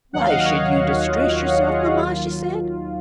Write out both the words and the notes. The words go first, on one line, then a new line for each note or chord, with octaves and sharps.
'Why should you distress yourself, mamma?' she said.
D#2 D#3 F#3 F#5
F5
D#5 F#5
C#5 F5
F#4
D#2 D#3 F#3 F4
F#4
F4 G#4
D#2 D#3 F#3 F4